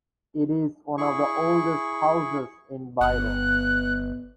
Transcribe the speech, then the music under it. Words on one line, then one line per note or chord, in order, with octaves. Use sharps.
It is one of the oldest houses in Byron.
E4 G#4 C#6
G1 B3 F#6